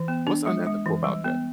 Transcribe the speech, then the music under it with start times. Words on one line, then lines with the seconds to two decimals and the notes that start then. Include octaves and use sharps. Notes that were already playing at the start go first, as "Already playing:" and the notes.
What's unethical about that?"
Already playing: E3
0.08 B3
0.27 D4
0.46 G#3
0.67 G#3
0.86 E3
1.04 G3
1.24 B3